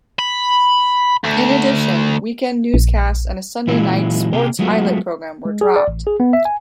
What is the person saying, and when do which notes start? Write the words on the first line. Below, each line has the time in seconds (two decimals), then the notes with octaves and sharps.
In addition, weekend newscasts and a Sunday night sports highlight program were dropped.
0.19 B5
1.24 D2
2.74 A#1
3.68 A#2 E3 F#3 G#3 E4 F4
4.33 C3 A#3 G4 G#4 A#4
4.59 F#3 G#3 A3 B3 F4 F#4
5.45 G#3
5.61 G#4
5.76 D5
5.88 A1
6.07 G#4
6.20 B3
6.33 E5
6.45 G#5